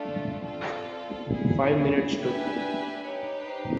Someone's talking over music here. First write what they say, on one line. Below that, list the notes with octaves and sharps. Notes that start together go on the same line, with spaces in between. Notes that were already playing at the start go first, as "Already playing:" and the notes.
Five minutes to three!
Already playing: A3 D4 F4 A4 D5
C4 F4 A4
B3 E4 G#4
D4 G4 B4 E5 G#5
D#4 G4 B4 C#5
C5